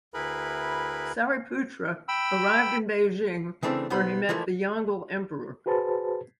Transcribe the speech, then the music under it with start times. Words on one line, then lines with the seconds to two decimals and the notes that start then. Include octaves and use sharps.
Sariputra arrived in Beijing where he met the Yongle Emperor.
0.14 D2 E4 G#4 A#4 B4 B5
2.08 G5 B5 E6
3.63 C#3 E3 A3 C4 D4
3.90 B1 B3 D#4 C5 B5
4.29 E3 F3 A3 A#3
5.66 F#4 G#4 B4 C5 A5